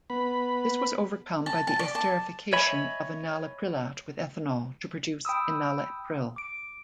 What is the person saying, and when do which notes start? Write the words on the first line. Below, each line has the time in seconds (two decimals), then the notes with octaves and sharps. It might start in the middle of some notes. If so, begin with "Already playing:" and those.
This was overcome by the esterification of enalaprilat with ethanol to produce enalapril.
0.10 B3 B5
1.46 A5
1.67 A5
1.79 D5
1.95 A5
2.53 C#5 D#5 E5 G#5 B5
5.25 G5 B5 D#6 E6
6.36 D6 D7